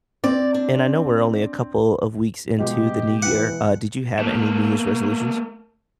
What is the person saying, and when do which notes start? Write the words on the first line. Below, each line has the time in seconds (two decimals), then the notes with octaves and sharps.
And I know we're only a couple of weeks into the New Year, uh, did you have any New Year's resolutions?
0.24 C4 D5
0.54 D4
2.59 B2 F3 G#3 G4 D#5
3.22 E3 F#5
4.19 A3 A#3